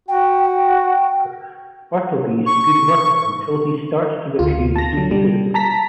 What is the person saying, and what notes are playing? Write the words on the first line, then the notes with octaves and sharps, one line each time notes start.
Bartleby is a good worker until he starts to refuse to do his work.
F#4 G5
G5
C#6
D2 F4
A5 A#6
D3 F#3
G3
A5 A#5 A#6 B6